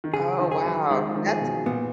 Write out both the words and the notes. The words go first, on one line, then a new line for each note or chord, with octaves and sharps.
Oh, wow. That's
D#3
C#3 G#4
D#3
G#4
F#3
D#3 G#3
F3
D#3
G#4
B2
A#2 B3